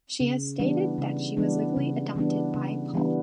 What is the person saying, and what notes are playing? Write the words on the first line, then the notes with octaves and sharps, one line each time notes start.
She has stated that she was legally adopted by Paul.
C#3
E3 G3 B3 D4
C#3
E3 G3 B3 D4
C#3
E3 G3 B3 D4
C#3
E3 G3 B3 D4